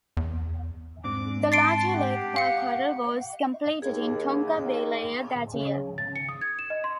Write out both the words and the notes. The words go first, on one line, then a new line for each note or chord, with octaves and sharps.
The larger Lake Park Hotel was completed in Tonka Bay later that year.
E2
G#2 C4 D4 D6
A5 C6 A6 C7 D7
G4 F#5
F5 C#7
D#2 G#4
C#3
A6
C#7
D#6
G#6
E7
D#5
C6